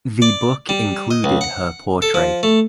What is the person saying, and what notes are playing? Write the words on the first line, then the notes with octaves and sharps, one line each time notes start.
The book included her portrait.
D5
G3
D#5
C#2
F#5
A4
F3
A3